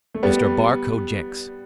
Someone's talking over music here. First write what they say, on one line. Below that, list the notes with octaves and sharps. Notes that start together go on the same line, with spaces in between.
Mr. Barcoe Jenks.
A3
G3 B3